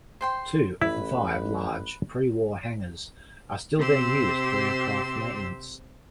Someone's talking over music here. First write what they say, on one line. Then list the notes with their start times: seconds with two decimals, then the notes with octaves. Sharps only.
Two of the five large pre-war hangars are still being used for aircraft maintenance.
0.21 C5 G5 C6
0.81 A1 E4 B4
3.77 C3 C4 G4 C5 C6 E6